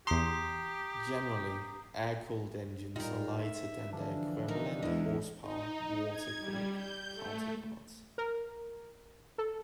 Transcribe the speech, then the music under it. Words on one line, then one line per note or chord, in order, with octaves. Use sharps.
Generally, air-cooled engines are lighter than their equivalent horsepower water-cooled counterparts.
E2 G4 A#5 C6 D#6 C7
A2 G3 D#4 F4 A#4
E5
D3 E3 F3 D4
D#4 A#4
E2 G#3 D#4
D#4
G#6
G3
G6
A3
A#4
A4